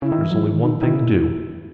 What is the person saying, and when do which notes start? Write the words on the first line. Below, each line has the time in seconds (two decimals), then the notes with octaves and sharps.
There is only one thing to do.
0.02 C#3 E4
0.12 D#3
0.22 E3
0.31 F#3
0.42 E3
0.52 D#3
0.61 D#4
0.77 E4
0.83 D#3
0.92 C#3
1.02 A#2